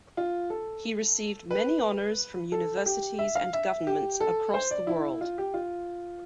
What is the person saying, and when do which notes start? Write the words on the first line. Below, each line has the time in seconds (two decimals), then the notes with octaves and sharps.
He received many honours from universities and governments across the world.
0.17 F4
0.50 A4
1.51 B4
2.52 A4
2.86 G4
3.19 E5
3.35 F5
3.53 E5
3.87 G4
4.20 A4
4.54 C5
4.71 D5
4.87 E4
5.21 F4
5.38 G4
5.54 F4